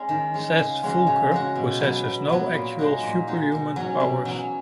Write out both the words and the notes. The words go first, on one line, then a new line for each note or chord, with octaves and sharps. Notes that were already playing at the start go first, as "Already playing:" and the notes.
Seth Voelker possesses no actual superhuman powers.
Already playing: G#3 C#4
D#3
G#3 C#4
C#3
G#3 C#4 F#4
C#3
G#3 C#4 F#4
B2
F#3 B3
B2
F#3 B3
A#2
G#3 D#4 F#4
A#2
G#3 D#4 F#4
B2
F#3 C#4
B2
F#3 C#4